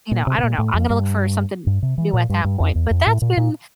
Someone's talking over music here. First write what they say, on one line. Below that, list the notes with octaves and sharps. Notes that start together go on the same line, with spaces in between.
you know, I don't know I'm gonna look for something new at that point, but that's been,
A#2
C3
C3
A#2
A2
F2
G2
G2
C3
E3
A#2
G2
G2
F2
E2
F2
A2
A#2
A#2